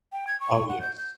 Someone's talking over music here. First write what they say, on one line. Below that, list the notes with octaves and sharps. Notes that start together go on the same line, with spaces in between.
Oh, yes.
G5
G#6
C#6
F#5
G6
G6